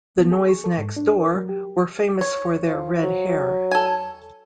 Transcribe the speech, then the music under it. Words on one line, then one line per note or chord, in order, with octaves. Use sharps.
The Noise Next Door were famous for their red hair.
B3
G#4
C#6
A4
G#2
D4
A#4
F#3
G4
C#5
F3
F#3
A4 G#5